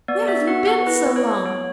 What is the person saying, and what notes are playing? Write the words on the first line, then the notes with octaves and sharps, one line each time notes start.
Where have you been so long?
B3 D5
B3 E5
F#4 F#5
B3 F#5
E4 B4
B3
C#5
B3
B3 C#5